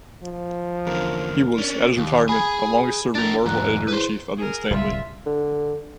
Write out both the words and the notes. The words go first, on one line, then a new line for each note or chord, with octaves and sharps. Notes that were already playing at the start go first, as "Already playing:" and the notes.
He was, at his retirement, the longest-serving Marvel editor-in-chief other than Stan Lee.
F3
E2 D3 A#4
C#4 D4
D#2
G#4 G#5 B5 G#6
D4 A#4 A6 F7
E2 G#2 A#5 F#6
E4 G#4 B4 C5
G#4 A#4
D1 C2 G3 F4 E5
D3